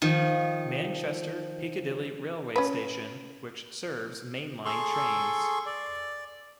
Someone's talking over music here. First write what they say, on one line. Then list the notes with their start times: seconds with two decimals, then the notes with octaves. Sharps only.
Manchester Piccadilly railway station, which serves mainline trains.
0.02 D#3 F3
2.56 C#4 B4
4.65 G#4 A4 C6 C#6
5.66 D5